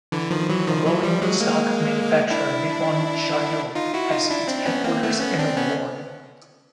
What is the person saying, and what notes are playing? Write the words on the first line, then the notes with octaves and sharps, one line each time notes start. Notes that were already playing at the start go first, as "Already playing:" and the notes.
The rolling stock manufacturer Nippon Sharyo has its headquarters in the ward.
D3 E3
D#3 F3
E3 F#3
D#3 F3
E3 F#3
F3 G3
F#3 G#3
G#3 A#3
D4 E4
D#4 F4
E4 F#4
D#4 F4
D4 E4
C4 D4
D4
B3 C#4
A#3 C4
A3 B3
B3 C#4
C4 D4
B3 C#4